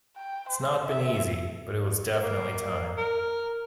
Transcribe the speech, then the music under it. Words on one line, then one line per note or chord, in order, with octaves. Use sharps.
It's not been easy but it was definitely time.
G5
C5
E5
A#3
A#4